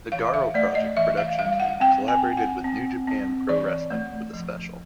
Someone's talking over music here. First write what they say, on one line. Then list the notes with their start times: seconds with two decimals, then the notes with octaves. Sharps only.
The Garo Project production team collaborated with New Japan Pro-Wrestling for the special.
0.12 E3 F5
0.34 E5
0.54 A3 D5
0.75 D#5
0.97 E3 E5
1.17 F5
1.39 G3 F5
1.60 F#5
1.80 C4 G5
2.08 G#5
2.23 C4
2.37 F#5
2.64 C4
3.07 C4
3.49 E3 D5
3.90 A3
4.34 F3